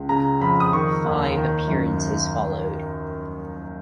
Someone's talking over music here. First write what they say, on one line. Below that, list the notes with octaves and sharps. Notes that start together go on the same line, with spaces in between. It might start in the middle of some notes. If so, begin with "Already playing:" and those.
Five appearances followed.
Already playing: C#2
C#3 A#5
F2 B5
D#6
D#3 C#6
D#2
D#3
F#2